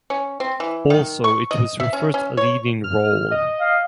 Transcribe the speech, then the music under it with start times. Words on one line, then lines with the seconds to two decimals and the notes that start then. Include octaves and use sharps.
Also it was her first leading role.
0.10 C#4
0.40 C4
0.60 E3
0.90 D#3
1.24 C#6
1.51 D#5
1.80 E5
1.93 C#4
2.14 C#4
2.37 C#5
2.84 F6
3.31 D#5
3.60 F5